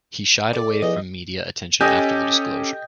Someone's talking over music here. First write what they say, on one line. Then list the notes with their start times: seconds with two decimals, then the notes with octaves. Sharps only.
He shied away from media attention after the disclosure.
0.53 A4 D5
0.82 E2 F3 D#5
1.81 C#4 G4 A4 D#5 G5 G#5